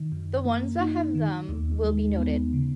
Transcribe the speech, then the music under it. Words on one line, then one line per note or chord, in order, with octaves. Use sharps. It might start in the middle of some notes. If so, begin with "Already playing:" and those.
The ones that have them will be noted.
Already playing: D#3
F#2
A#3
D#4
D#3
D#2
G#3
B3
C#3